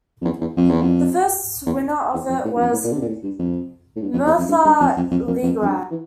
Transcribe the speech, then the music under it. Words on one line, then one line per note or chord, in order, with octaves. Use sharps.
The first winner of it was Mirtha Legrand.
F2
E2
E2
F2
E2
F2
E2
E2
F2
A2
G2
F2
A2
A#2
D3
C3
A#2
A2
G2
F2
A2
G2
F2
E2
F2
G2
G2
F2
F2
F2
F2
F2
F2
G2
E3